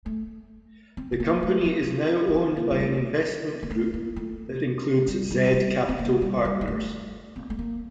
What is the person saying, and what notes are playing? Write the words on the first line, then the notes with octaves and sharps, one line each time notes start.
The company is now owned by an investment group that includes Z Capital Partners.
A3
C4
C4
A#3
A3
C4
A#3
C4
A#3
G3
A3
A#3
A3
A#3
A3
G3
G3
G3
C4
A#3
G3
G3
G3
A3
C4
A3
A#3